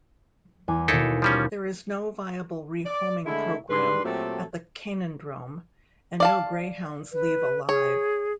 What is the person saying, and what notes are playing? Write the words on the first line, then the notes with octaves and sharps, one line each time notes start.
There is no viable rehoming program at the Canidrome, and no greyhounds leave alive.
E2 G#5 D6
D#2 B2 D#4 E4 A4
F3 G3 C#4 B5 G6
D5
D3 G#3 A3 E4
G#2 G3 D4 B4 C6
A#2 F#3 A3 C4 G4 A4
D5 F5 A5
B4
G#4 C#5